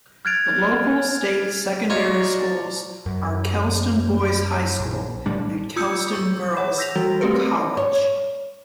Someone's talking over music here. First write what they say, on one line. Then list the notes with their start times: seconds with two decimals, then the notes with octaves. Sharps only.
The local State secondary schools are Kelston Boys' High School and Kelston Girls' College.
0.25 F6 F#6 G#6 A6 D7 F7
1.90 D#4 F4 F#4 C#5 D5
3.06 F#2
4.79 A#1
5.26 A1 A2 G3 D4
5.76 F4 D#6 E6 G6 C#7
6.13 C#6 G6
6.57 C#5 F#5
6.78 E6 G6 A#6 B6 F7
6.95 E3 G3 F#4
7.21 A3 C4 G4 A#4 B4
7.77 C#5